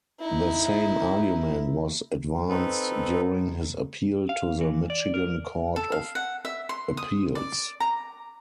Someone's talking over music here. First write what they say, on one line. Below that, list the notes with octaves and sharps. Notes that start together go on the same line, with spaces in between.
The same argument was advanced during his appeal to the Michigan Court of Appeals.
D#4 E4
C4 D#4 A4 B4
F5
E3
D5
A#4
A4
F5
F#5
E5
C6
D#6
D5
A#5